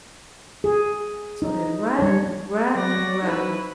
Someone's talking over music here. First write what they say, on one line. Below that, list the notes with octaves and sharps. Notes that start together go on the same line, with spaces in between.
So they ran and ran and ran.
G#4
D#4
G3 C#5
F#3 F#4 D5 A#6
D#4 E4 B4 C5